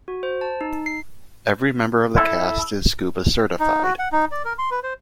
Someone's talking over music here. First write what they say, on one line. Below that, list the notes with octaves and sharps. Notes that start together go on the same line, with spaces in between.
Every member of the cast is scuba-certified.
F#4
C5
A5
D#4
C7
E4 A4
D#4
F#4
F#5
D#4
D5
A#4
C6
B4
C5